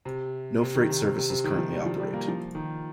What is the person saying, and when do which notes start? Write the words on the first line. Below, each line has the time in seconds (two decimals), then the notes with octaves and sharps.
No freight services currently operate.
0.05 C3
0.61 C3
0.75 D#3
0.89 C3
1.02 C3
1.17 C3
1.30 C3
1.44 D#3
1.58 F3
1.73 G3
1.86 F3
2.00 G3
2.14 A#3
2.28 F3
2.55 D#3